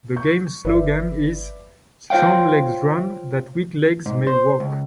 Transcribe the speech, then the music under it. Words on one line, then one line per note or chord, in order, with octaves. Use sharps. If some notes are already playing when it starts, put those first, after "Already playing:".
The game's slogan is "Strong Legs Run That Weak Legs May Walk".
C#6 G6
G1 B4 D5 E5
F4 C5 C#5 F5 G5
G#2
C5
C#2